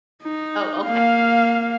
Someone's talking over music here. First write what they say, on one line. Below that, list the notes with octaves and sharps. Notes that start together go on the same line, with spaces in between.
Oh, okay, okay.
D#4
A#3 F5